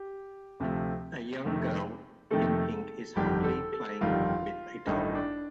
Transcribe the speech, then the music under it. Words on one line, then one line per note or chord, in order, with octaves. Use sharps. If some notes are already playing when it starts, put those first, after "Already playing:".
A young girl in pink is happily playing with a doll.
Already playing: G4
D2 C3 F3 A3
F2 C3 D#3 A3
F2 C3 D#3 A3 A4
G1 F2 D#3 G3 G4
A4
A4
G1 F2 D#3 G3 F4
A1 G2 D#3 A3 D#4
D4